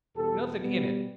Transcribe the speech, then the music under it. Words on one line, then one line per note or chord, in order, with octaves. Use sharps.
Nothing in it?
E2 B2 G3 G4 A4
B2 G3 B3